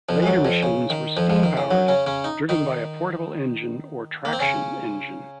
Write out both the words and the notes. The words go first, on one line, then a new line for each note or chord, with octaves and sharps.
Later machines were steam-powered, driven by a portable engine or traction engine.
F2 F3
G#3
F#2 F#3
F2 F3
C#3
D#3
F2 F3
F2 F3
D#3
C#3
F#2 F#3
C#3 C#4
C#3 C#4
D#4
D#3 D#4
A#3
C4
C#3 C#4